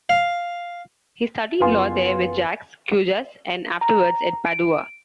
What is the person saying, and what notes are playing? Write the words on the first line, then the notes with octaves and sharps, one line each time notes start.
He studied law there with Jacques Cujas, and afterwards at Padua.
F5
F#1 B3 F4 F5 G#5 C6
A#5
D7